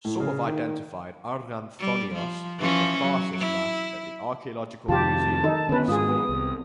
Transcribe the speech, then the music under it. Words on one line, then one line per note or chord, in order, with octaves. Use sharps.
Some have identified Arganthonios with the "Tharsis Mask" at the Archeological Museum of Seville.
A2
C#3
D#3
G3
F3
E3 F3 C#4
F#3
E4
F2 C3 D#3 F4 G4 A5
D#3 D#4 A4
D3 B3 C#4 B4
G#2 D#3 F4 G#4 D#6
B3
C2